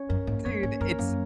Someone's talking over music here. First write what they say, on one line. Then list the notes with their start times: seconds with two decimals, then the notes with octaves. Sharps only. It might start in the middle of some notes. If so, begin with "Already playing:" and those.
Dude, it's
Already playing: C#4 C#5
0.09 F#2 A#4
0.27 G#2 A#3
0.45 F#2 C#5
0.63 G#2 C#4
0.81 F#2 A#4
0.99 F#2 A#3